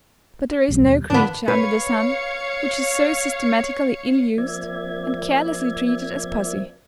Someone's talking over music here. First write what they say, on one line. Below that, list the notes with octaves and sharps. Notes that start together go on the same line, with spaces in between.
But, there is no creature under the sun which is so systematically ill-used, and carelessly treated as pussy.
D1 A#1 G3
D#2 B2 G3
G#2 D3 E3 B3 D4
B4 C#5 F5 C#7
F3 A#3 C4 D5 E5 G#6